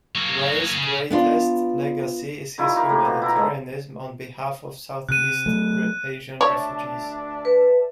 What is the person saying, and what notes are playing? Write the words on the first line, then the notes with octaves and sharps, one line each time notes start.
Ray's greatest legacy is his humanitarianism on behalf of Southeast Asian refugees.
F#3 A#3
C#3
B3 D4 F4
D#3 G3 E4 F4
G4 A#4
A2 A#3
B2
E4 A#5
G#3 A4
C3 F#6 D#7
F#3 A3
D2 D4 C#5 D5 E5 A5
B4